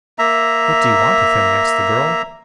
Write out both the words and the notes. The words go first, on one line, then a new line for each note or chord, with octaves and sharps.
"What do you want of him?" asked the girl.
A#3 E5 A#5